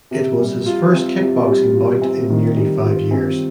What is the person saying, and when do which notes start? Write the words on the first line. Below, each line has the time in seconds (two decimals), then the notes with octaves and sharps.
It was his first kickboxing bout in nearly five years.
0.11 C3
0.39 G3
0.66 F4
0.93 C4
1.20 C3
1.47 G3
1.75 F4
2.02 C4
2.30 D#3
2.57 G3
2.83 F4
3.11 C4